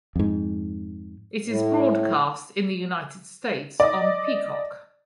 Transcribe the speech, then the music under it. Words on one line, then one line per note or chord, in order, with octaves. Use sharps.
It is broadcast in the United States on Peacock.
F2 G#2
A2
D5 D#5